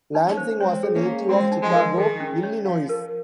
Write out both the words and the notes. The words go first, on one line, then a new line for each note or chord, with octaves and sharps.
Lansing was a native of Chicago, Illinois.
D#4
A#3 C#4
C5
G#3 C4 C#5
G#4
A#3 C#4
F5
G#3 C4 F#4
D#4
F3 G#3
A#4
D#3 G#4
C#4
C#5
F3 F5
A#4